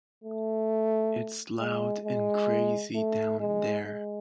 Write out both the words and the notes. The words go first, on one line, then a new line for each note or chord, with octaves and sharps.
It's loud and crazy down there.
A3
G#3
G#3
A3
G#3
G#3